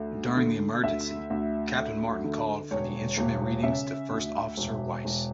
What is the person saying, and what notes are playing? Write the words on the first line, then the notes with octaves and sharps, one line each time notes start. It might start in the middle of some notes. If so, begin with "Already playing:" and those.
During the emergency, Captain Martin called for the instrument readings to First Officer Weiss.
Already playing: D2 A3
D3
D2 E5
D2
A3
D3
E1 C#5
E1
C#3 E5
D2
E1
E1